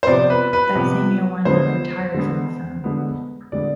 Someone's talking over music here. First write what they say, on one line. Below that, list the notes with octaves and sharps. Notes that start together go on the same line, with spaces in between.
That same year, Weinberg retired from the firm.
C5
C3 F3 B3 D5
B4
B4
C3 F3 B3
D3 F3 G#3 B3 C5
D3 G#3 B3
D3 G#3 B3
D3 G#3 B3 D5